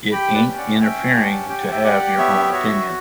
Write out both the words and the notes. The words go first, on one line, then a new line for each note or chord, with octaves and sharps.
It ain’t interfering to have your own opinion.
G4 G5 B5
B4 D5
C#4
D5 F#5
C#4 E5 G5
G4 F#5 A5
G4 G5
F#5
E5 G5
G4 D5 F#5
B3 C#5 E5
F#4 C#5 E5